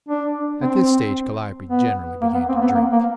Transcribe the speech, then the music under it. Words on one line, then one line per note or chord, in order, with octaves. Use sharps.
At this stage Calliope generally began to drink.
D4
C4
B3
A#3
B3
C4
A#3
B3
A#3
A#3